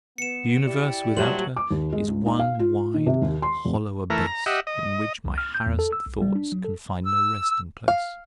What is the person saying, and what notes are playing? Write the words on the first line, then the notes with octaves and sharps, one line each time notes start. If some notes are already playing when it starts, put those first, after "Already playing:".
The universe without her is one wide, hollow abyss, in which my harassed thoughts can find no resting-place.
B3 C#7 E7
E4 G4 D5
A#2 F#3 G3 A3 F4 C5 F#7
D6
D#2
G#3
C#2
D#4
F5
F4
D#3
C3
D#2
C6
F1
E3 A3 A#4
A#5
G4 D#5 E5 F#5
D#5
C2
F6
G6
E2
A4
E6
B1
G3
D4
F#3
A4
E6
F5